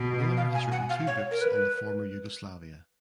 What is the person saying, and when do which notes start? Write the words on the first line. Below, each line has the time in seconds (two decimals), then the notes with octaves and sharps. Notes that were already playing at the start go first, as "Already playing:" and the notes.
Miller has written two books on the former Yugoslavia.
Already playing: B2
0.37 F5
0.55 G#5
0.72 F#5
0.89 F5
1.07 C#5
1.31 A#4
1.41 B4